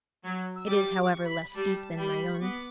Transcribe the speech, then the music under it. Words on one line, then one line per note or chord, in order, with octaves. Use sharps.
It is, however, less steep than Mayon.
F#3
E6
G3 D6
D6
C#6
B5
B5
G3 A5
G3 B5
C#6
B3 D6